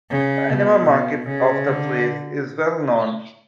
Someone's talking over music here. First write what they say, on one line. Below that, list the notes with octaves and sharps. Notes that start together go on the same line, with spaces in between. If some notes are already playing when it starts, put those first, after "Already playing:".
The animal market of the place is well known.
C#3
B2
B2
C#3
D3